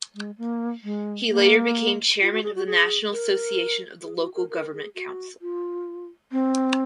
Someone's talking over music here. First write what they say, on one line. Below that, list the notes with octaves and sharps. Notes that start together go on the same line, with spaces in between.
He later became chairman of the National Association of the Local Government Council.
G#3
A#3
G#3
A#3
F4
F#4
G#4
F#4
G#4
A#4
G#4
F#4
A#4
A#4
G#4
F#4
F4
C4